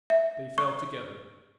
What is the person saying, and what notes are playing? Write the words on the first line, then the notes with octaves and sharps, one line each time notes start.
They fell together....
E5
C#6